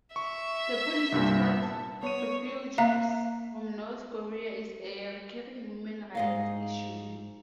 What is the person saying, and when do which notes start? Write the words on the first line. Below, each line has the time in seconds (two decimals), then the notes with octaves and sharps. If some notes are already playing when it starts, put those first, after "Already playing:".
The policy toward refugees from North Korea is a recurring human rights issue.
0.16 E5 C#6
1.12 C2 G2 A#2
1.63 A5
2.03 B3 C#5 D#7
2.78 A#3 E5 F5 A#5
6.15 G#2 D#5 F5